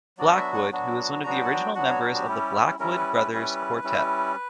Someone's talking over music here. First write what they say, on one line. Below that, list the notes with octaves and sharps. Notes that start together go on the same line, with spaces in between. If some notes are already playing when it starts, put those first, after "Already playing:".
Blackwood, who was one of original members of the Blackwood Brothers Quartet.
F#3 B3 D4 F#4 D5
E5
F#5
F#3 B3 D4 F#4
F#3 B3 D4 F#4 A#5
G5
F#5
G5
F#3 B3 D4 F#4 F#5
C#5
A#4
G4
G3 C#4 E4
G3 C#4 E4 A#4
B4
B4
G3 C#4 E4 B4
G3 C#4 E4